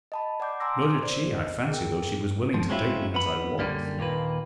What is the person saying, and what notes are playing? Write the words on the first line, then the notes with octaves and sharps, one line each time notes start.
Nor did she, I fancy, though she was willing to take me as I was.
D#5 A5 B5
D5 F#5 D6 G6
G#5 A#5 C6 D6 E6 A#6
A#4 C5 D5
D#5
G#4 A#4 G5
F3
F#3 G#3 C4 C#4 E4 F4
B3 B5
F#2 B2 D3 G3 A#3
D#2 A#2 A#3 B4